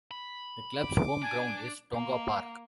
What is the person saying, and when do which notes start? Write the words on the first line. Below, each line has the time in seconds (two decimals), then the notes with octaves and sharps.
The club's home ground is Tonga Park.
0.11 B5
0.79 D6
1.22 D4 G#5
1.92 A#3